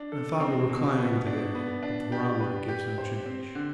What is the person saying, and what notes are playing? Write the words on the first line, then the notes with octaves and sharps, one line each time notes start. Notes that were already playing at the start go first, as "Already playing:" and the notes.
I thought we were climbing to-day, but the barometer gives no change.
Already playing: D4
A4
C4
B2
B3
D4
B3
D4
G4
B4
G4
C5
C4
D3